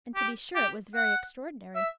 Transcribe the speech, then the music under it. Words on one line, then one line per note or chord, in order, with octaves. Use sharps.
And to be sure it was very extraordinary.
G4
G4
F#5
E5